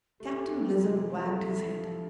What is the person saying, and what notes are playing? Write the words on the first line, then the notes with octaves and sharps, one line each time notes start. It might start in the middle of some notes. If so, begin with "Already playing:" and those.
Captain Blizzard wagged his head.
A3 G4
F2 G4
C3 F4
A3 E4
A3 E4
F3 D4